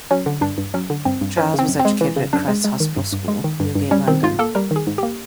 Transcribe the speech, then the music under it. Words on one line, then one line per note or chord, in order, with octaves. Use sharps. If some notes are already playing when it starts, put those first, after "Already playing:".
Giles was educated at Christ's Hospital school, Newgate, London.
F#3 C#4
D3
G2 D4
G2
F#3 C#4
D3
G2 C4
G2
E3 C#4
C#3 C4
F#2
C4
G#3
E3
C#3
F#2 D4
G#3
G#3
D#3
G2
G2
G#3
D#3
G2
G2
G3 C#4
D#3 C4
G#2 F4
A#3 A4
G3 A#4
D#3
G#4
G#2
A#3 G4